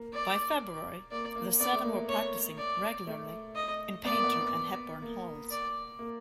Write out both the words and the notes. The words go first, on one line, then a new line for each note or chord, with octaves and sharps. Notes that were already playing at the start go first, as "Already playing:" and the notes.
By February, the seven were practicing regularly in Painter and Hepburn Halls.
Already playing: A#3
D5
A#3 D5
A#3
B3 D5
A3
A#3
C#5
D5
A3
D#5
B3 D5
A#3
B3
A#3
D5
A#3